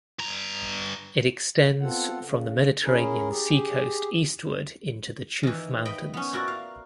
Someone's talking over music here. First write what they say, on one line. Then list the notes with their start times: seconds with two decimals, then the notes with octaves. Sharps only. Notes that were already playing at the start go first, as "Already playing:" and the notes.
It extends from the Mediterranean Sea coast eastward into the Chouf mountains.
0.19 G2 A#5
1.81 B3 C4 F4 A4 F#5
2.22 C#3
2.83 C#4 E4 G#4 A#4
3.30 G4 G#4
5.43 D#3 E3
5.85 D#5 G5 B5
6.14 B3 C#4
6.33 E4 F#4 A#4 D5
6.48 F5